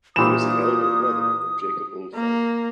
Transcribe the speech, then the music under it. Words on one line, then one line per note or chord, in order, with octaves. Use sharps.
He was the elder brother of Jacob Ulfeldt.
A#2 E3 G4 C5 D#6 E7
A#3